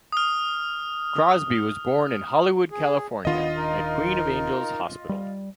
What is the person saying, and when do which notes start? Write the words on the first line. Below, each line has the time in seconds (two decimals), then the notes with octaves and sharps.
Crosby was born in Hollywood, California, at Queen of Angels Hospital.
0.12 D#6 F6
2.71 G#4
3.25 D#1 D#3 B3 D4 F4 D#5
3.57 D#4 A#4
5.09 G3